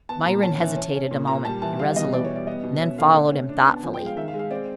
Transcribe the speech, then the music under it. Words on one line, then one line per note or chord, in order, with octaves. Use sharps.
Myrin hesitated a moment, irresolute, and then followed him thoughtfully.
B3 A5
A#2 A#5
C#4 A5
E3
C#4
C#4
A#2
A#2 A#5
G3 A5
E3 A5
G3 F5
B2 D#5
E3 D5
C#5
G3
D5
B3 D#5
B2
C#4 E5
D3 F5
A3 F#5
C#4
D4
B3
A5
F3 G#5
G5
G#3
F5
D#3 E5
F5
G#3
F5
C4 D5